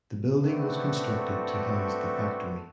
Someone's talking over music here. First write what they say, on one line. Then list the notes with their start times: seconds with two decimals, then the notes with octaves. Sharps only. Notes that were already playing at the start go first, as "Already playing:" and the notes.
The building was constructed to house the factory.
0.40 A3 C4 D4 F#4 A4 B4